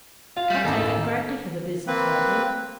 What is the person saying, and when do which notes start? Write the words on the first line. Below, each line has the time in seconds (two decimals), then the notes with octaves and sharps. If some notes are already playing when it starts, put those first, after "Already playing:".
I've taken greatly to the business lately.
0.37 F4 F5
0.50 G3 A3
0.64 A1 D#2 D#4 A4 G#5
1.87 A#3 C4 B4